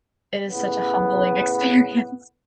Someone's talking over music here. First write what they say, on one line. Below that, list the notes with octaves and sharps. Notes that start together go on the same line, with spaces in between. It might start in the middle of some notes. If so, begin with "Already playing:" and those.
It is such a humbling experience.
A2 C#3 B3